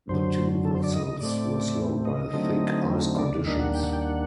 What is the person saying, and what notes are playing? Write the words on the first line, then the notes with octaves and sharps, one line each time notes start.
The two vessels were slowed by thick ice conditions.
F#2 D3 F#3 C5
A4
C5
D5
D#5
D#5
A2 A3 C4 D5
D#5
D3 F#3 A3 C4 D#4
D5
D#2 D#3 G3 A#3 D4 D#5
F#5
G5
F#5
G5
F#5